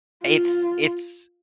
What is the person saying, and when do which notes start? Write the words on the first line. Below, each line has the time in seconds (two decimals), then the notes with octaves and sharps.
It's it's
0.23 F4